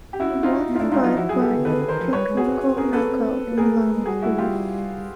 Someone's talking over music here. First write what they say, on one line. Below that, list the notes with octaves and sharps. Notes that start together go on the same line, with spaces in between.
He won the fight via technical knockout in round three.
G4
C#4 E4 F#4
D#4 F4
B3
F4
A3 D4 E4
G#3 D#4 F4
F#3 D#4 F4
F3 E4 F#4
F#3 G#4
G4 A4
G3
D3
D#3 A4 B4
D3
D#3 A#4 C5
F3
G3 B4 C#5
G#3
F#4 G#4
C4
C#4
C4
C#4 G#4 A#4
C#4 A4 B4
B3
C4
A#3
B3 G#4 A#4
A#3
A3
G#3
G3 F#4 G#4
E4 F#4
F4 G4